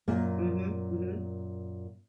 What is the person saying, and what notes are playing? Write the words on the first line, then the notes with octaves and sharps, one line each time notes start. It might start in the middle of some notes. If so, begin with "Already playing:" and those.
Mhm, mhm.
F#2 A#2 A#3